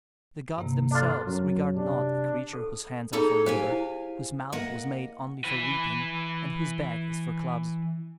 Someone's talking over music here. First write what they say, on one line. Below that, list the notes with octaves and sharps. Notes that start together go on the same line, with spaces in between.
The gods themselves regard not a creature whose hands are for labor, whose mouth was made only for weeping, and whose back is for clubs.
G2 C3 A#3
D4 F4 A4
F#2 F#3
C3 D4
A4
D#4 G#4 A4 C#5 B5
G4 C5 F5 G#5
E4
A#3 D#5 F#5
E3 B4